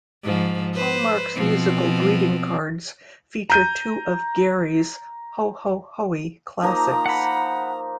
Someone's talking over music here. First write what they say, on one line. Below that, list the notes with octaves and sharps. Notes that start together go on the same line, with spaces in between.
Hallmark's musical greeting cards feature two of Gary's "Ho Ho Hoey" classics.
G#2 F3
B4 C5
B2 F3 C4
A#5 G6 D#7
F3 A#3 D#4 A#5
F#5 B5